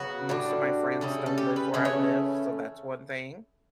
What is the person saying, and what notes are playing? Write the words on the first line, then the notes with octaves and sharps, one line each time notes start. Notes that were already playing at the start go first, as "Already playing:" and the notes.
most of my friends don't live where I live, so that's one thing,
Already playing: C#3 F#3 B3 F#4
A2 G3 D4
C#3 G3 C#4 E4
A4
G4
B4
C#3 E3 A3 C#4 C#5
C#5